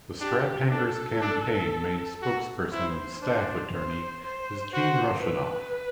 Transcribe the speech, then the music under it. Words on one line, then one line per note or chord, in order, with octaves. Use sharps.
The Straphangers Campaign's main spokesperson and staff attorney is Gene Russianoff.
D4 G4
D4 A4
D4
F#4
E4 C5
D4 C5
C5
C5
F#4 C5
B4